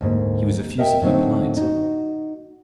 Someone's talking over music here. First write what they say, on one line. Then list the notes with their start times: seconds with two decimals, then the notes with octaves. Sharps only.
He was effusively polite.
0.01 D2 G#2 A#3
0.78 A#4 D#5 E5 F#5 G5
1.02 A2 D3 F#3 C4 D#4
1.57 D#4 F#4